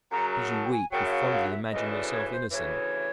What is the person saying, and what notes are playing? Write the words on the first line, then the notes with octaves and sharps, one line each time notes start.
Because you weep, you fondly imagine yourself innocent?
F#2 C#3 F#3 A#5
A#5
A5
G5
G#5
F#2 C#3 F#3 G5
E5
F5
F5
E5
E5
D2 C#3 E3 D#5
D5
C#5
C5
D2 C#3 E3 C#5